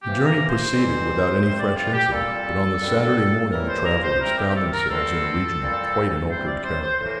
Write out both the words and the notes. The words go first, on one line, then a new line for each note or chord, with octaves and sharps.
The journey proceeded without any fresh incident, but on the Saturday morning the travellers found themselves in a region of quite an altered character.
C3 E3 A#3 G4
A#4
C5
F2 E3 G3 C4
C3 G3 C4 C5
C5
D5
F4
G4
A#2 G3 C4 A4
G2 D3 G3 C4
A2 E3 G3 A#3 A#4
C5
A#4
C5
C3 G3 C4 A#4
G4
G4
A4
A#4
E2 D3 G3 C4 A4
A#2 G3 C4
C3 G3 C4 C5
D5
C5
C5
A2 E3 A#3 C5